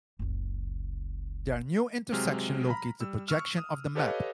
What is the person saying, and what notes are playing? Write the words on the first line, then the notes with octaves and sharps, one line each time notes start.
Their new intersection locates the projection of the map.
F#1 C#2
C3 F#3 G#3 F6
A#5 B5
G3 E6
C#6 E6 F6
D#6
G4 A4 B4 C#5 D#5 F5